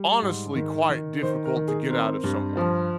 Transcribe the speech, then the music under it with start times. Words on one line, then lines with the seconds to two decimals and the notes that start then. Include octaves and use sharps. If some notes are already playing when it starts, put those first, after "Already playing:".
honestly quite difficult to get out of someone,
Already playing: G3
0.22 G#2
0.56 D#3
0.90 D#3
1.23 D#3 C5
1.45 A#4
1.56 D#3
1.68 G#4
1.89 C4 A#4
2.23 G2
2.57 F3